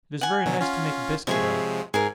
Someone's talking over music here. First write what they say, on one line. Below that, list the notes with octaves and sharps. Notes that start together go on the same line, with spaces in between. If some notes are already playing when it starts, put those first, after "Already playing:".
It is very nice to make biscuit of.
F#5 G#5
B2 D3 F#3
C#4 F4
C3 F3 G#3 G#4 C#5 E5
G#2 G#4 A#4